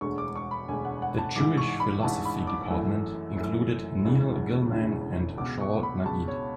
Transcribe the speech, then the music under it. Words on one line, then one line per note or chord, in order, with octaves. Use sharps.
The Jewish Philosophy department included Neil Gillman and Shaul Magid.
E1 D2 D3 G#3 C#6
D6
C#6
B5
E1 D2 D3 G#3 G#5
F#5
F#5
A5
A1 G#2 E3 D6
C#6
B5
A1 G#2 E3 A5
B5
D6
F#2 E3 A3
F#2 E3 A3
E1 D2 C#3 E3 G#3
E1 D2 C#3 E3 G#3
C#2 B2 G#3 D6
C#6
B5
C#2 B2 G#3 A5
C#5